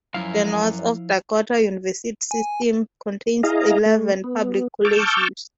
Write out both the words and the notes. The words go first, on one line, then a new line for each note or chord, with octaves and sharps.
The North Dakota University System contains eleven public colleges.
F#2 F3 E4 F5
G#5
E4 G#4 D#5 F5 A#5
A3
B3
A5 C#6 D6 E6 F6 G6